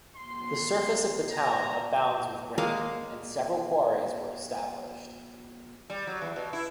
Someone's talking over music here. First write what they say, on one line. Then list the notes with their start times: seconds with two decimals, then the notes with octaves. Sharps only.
The surface of the town abounds with granite, and several quarries were established.
0.16 C6
1.30 A#5
2.58 G#3 A#3 F5
5.90 G3
6.07 F#3
6.22 E2
6.36 B2
6.53 E4